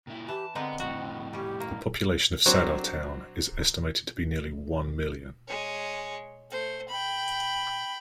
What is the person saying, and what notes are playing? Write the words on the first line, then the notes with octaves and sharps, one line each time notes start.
The population of Saddar Town is estimated to be nearly one million.
A#2 E4
E3 G4 A5
D3 G#3 B3 C4 D#4
F2 A2 F#4
G3 C#4 G4
A#3
F#3 C4 D4 F#4 C5 C#5
G#3 C#5
A3 C5
G5 B5